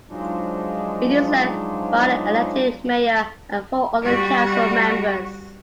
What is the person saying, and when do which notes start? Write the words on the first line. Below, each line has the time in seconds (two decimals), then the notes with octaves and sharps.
It is led by an elected mayor and four other council members.
0.10 F3 F#3 G#3 D4 D#4
4.02 G3 F#4